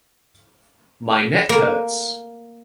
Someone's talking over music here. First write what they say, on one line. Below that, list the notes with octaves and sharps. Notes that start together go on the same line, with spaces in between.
My neck hurts.
A#3